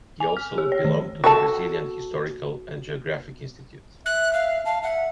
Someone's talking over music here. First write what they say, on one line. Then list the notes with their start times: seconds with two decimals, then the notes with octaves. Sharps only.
He also belonged to the Brazilian Historical and Geographic Institute.
0.20 G#5
0.37 F6
0.58 G4
0.72 C#5
0.85 D#3
1.24 F#4 A4 A5
4.06 E5 F#6
4.33 F5
4.65 F5 A5
4.83 E5 F#5